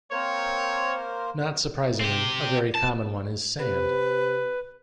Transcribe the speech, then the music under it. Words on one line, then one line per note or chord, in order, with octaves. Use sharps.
Not surprisingly, a very common one is sand.
A#3 C4 A#4 C5 C#5
C4 G4
A5
C3 B4